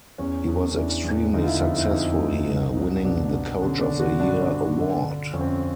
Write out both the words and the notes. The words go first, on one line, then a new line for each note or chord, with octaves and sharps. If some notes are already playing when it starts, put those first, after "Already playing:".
He was extremely successful here, winning the "Coach of the Year" award.
E2 C#4
E2
E3 D4
E2
D3 D#4
F4
E4
F2 E4
E4
F2 D#4
F2
C2
C2
B2 D4
B2
D3 C#4
D4
D3
F#4
G2 D4
D3
D3
D3
F2 C#4
C4
C#4